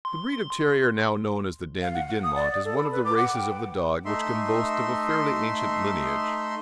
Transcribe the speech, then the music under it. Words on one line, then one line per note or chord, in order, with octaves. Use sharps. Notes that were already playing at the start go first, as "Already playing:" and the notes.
The breed of terrier now known as the Dandie Dinmont is one of the races of the dog which can boast of a fairly ancient lineage.
C6
F5
F#5
F#5
D#6
D5
D5
A4
B5
B4
D6
F#5
G5
A3 D#4 E5 C6